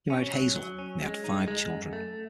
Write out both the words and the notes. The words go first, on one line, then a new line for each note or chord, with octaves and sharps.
He married Hazel and they had five children.
C#4
F#3
F#3
C#4
G#3
D#4
G#3
F#2
A3